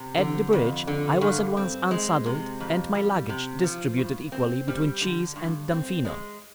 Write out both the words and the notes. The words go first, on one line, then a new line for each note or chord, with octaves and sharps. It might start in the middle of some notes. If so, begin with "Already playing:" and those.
At the bridge, I was at once unsaddled, and my luggage distributed equally between Cheese and Damfino.
Already playing: C3
D3
F2
D3
G2
C4
G#3
C3
F2
G3
C3
F3
G2
C4
G3
D3
G2
C4
G#3